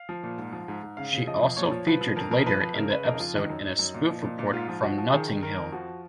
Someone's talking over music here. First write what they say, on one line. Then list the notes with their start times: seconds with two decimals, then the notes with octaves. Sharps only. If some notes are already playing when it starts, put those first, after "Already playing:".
She also featured later in the episode in a spoof report from Notting Hill.
Already playing: F5
0.09 F3
0.23 A#2
0.38 G#2
0.52 F3
0.68 G#2
0.83 G#2
0.97 C#3 F5
1.13 C#3
1.27 F3 D#5
1.43 F2
1.57 A#2 C#5
1.71 F3
1.87 F3 B4
2.01 F3
2.16 F2 A#4
2.31 F2 A#4
2.46 F3 B4
2.60 F2 B4
2.75 C#3 A#4
2.90 C#3 B4
3.05 F2 A#4
3.15 D#4
3.20 F3 F4
3.35 D#3 D#4
3.50 F#2
3.65 F#2
3.79 F#2
3.94 A#2
4.09 F3
4.24 A#2
4.39 A#2
4.53 G#2 F4
4.68 F3
4.83 F3 F#4
4.98 F3
5.13 D#3 G#4
5.28 D#3
5.42 D#3 A#4
5.58 F2
5.72 F3 F#4